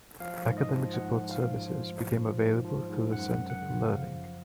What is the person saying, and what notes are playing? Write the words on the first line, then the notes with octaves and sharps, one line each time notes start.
Academic support services became available through the Center for Learning.
F3 F5
G#2
D#5
F3
G#2 F#5
F3
F5
G#2
F3
G#2
F3
G#2
F3
G#2
F#2 F#5
F#2
F#5
C#3
F3 F5
F#2